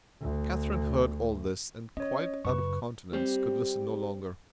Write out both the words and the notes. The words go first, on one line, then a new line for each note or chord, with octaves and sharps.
Catherine heard all this, and quite out of countenance, could listen no longer.
D2
C#4 C#5 D#5
F#2 C#3 B4 C#6
G3 C4 G4